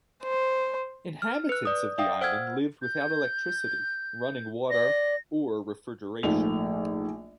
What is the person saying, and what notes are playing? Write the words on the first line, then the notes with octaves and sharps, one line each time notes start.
Inhabitants of the island lived without electricity, running water or refrigeration.
C5
F6
B4 F#6
D5 D#6
D5 E5 F5 G5 D#6
C5 F#5 E6 F6 G#6
G6
D5 A#6
A#1 G#2 F3 A3 F7